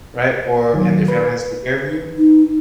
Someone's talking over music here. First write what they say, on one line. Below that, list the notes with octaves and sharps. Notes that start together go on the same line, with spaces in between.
Right? Or and their family has to take care of you
D#3 F#3
B4
D#4